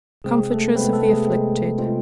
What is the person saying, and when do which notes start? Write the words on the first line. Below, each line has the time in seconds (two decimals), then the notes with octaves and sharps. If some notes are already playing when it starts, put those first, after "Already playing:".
Comfortress of the afflicted.
0.24 C3 G#3 C4 G#4
0.50 A3 A4
0.75 C3 G#3 B3 C4 B4
0.93 A3 A4
1.10 G#4
1.27 C3 G#3 C4
1.78 C3 G#3 C4 F4